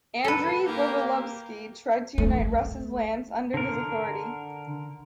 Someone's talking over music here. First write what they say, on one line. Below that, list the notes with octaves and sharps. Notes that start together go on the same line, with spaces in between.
Andrey Bogolyubsky tried to unite Rus' lands under his authority.
A4 B4
A#3 G4 A#4
A3
D3 A#4